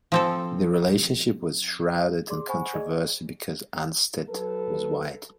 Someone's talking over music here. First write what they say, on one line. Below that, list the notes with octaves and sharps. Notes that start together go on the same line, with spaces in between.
The relationship was shrouded in controversy because Anstett was white.
F3 C4 A4
G#4 D5 C6 D6
C5 F#5 G#5 B5 C#6
G#4 D5 D#5
F#3 A4 B4